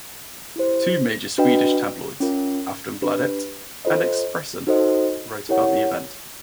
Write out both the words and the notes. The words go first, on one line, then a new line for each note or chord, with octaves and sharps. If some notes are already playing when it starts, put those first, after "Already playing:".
Two major Swedish tabloids, "Aftonbladet" and "Expressen", wrote about the event.
E4 G4 C5
D4 F#4 B4 D#5 G5
C#4 F4 A#4
D4 G4 B4
F4 A4 C5 D#5
D#4 F#4 A4 C5 D#5
E4 G4 A#4 C#5 F#5